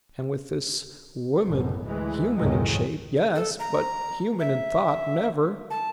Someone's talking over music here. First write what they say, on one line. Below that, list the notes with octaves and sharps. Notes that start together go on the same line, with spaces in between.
And with this--woman--human in shape, yes, but human in thought--never.
A1 F#2 B2
D2 E3 G#3
F#1 C#2 A2 D#3 F#3 G#3
A4
A#5
E5
A5